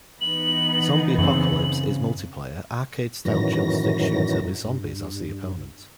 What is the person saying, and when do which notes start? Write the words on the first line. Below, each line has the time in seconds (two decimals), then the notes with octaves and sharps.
"Zombie Apocalypse" is multiplayer, arcade style dual stick shooter with zombies as the opponent.
0.21 E3 B3 D#4 F#7
1.18 F#2 C#3 C4 F#7
3.25 F#2 A2 D#3 E3 F#3 A#6
4.65 G2